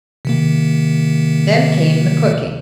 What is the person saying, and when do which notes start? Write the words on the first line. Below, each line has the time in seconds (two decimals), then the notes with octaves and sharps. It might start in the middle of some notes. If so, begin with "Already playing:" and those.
Then came the cooking.
0.25 C3 D#3 A#3